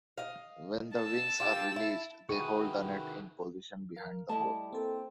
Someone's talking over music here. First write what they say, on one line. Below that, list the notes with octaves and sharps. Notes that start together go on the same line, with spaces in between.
When the wings are released, they hold the nut in position behind the hole.
D#5 F5
A5 E6
F4 G4
E4
D#3 E4 F#4 G#4 B4 G5 C#6 D#7
A#4 F5
G3 A3 E4 D#5 A5
A#3 C4 A4